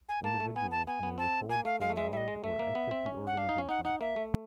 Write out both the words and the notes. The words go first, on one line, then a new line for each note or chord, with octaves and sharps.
Individuals may withhold their knowledge or exit the organization.
G#5
A#3 A5
A3
B3 G#5
A5
B3 G#5
B3
C4 A5
A#3 G#5
A3 F5
G#3 F5
A3
G#3 E5
G3 D#5 E5
G#3
A3 E5
A#3
B3
C4
C#4
F#5
D4 F5
D#4
C#4
D#4 F#5
D#4 F#5
A#3 E5
A3